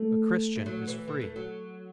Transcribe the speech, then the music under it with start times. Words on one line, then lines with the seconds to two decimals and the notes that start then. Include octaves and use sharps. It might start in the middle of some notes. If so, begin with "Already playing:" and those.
A Christian is free.
Already playing: A3
0.55 A3
0.66 F#3
0.87 E3
1.08 E3
1.21 A3
1.36 F#3